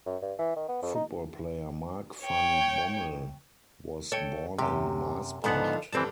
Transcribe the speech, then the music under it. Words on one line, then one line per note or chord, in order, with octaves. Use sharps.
Football player Mark van Bommel was born in Maasbracht.
F#2
G2
E3
D#3
B3
F2
D#4
C#5 G5
A4 C#5 G5
F#2 C3 G4
G#2 D3 F3 B3 D#4 F#5
G2 D3 E3 G3 C4 A5